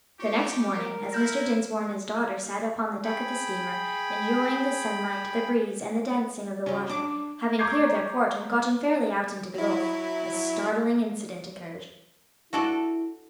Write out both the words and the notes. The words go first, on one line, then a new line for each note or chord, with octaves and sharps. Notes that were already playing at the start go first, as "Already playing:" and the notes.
The next morning, as Mr. Dinsmore and his daughter sat upon the deck of the steamer, enjoying the sunlight, the breeze, and the dancing of the water, having cleared their port and gotten fairly out into the gulf, a startling incident occurred.
F4 G4 C#5 C#6
A#4
E4 F6 G6 A#6
G#4 G5 B5
C#3 F#3 C#4
D4 D6
A#5 C#6 D6 G6 G#6 C7
F#3 E4
E4 F#4 A4 D5